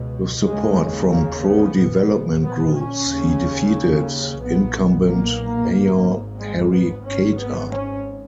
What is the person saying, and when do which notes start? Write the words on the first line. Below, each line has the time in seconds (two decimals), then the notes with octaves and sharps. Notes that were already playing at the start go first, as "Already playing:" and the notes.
With support from pro-development groups, he defeated incumbent mayor Harry Cater.
Already playing: C#2 B2
0.44 D#2 C#3 G#3
1.10 A#3
1.43 B3
1.77 A#1 A#2
2.43 B3
2.76 C#4
3.09 D#2 C#3
4.41 B1 A#2 B3
5.07 A#3
5.74 G#1 G#2
6.40 G#3
6.73 B3
7.06 G#1 G#2 C#4
7.39 B3
7.72 C#4